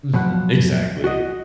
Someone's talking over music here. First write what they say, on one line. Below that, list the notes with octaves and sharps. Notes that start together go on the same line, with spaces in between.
Mhm. Exactly.
B2 F3 F#3 F#5
F#4 D#5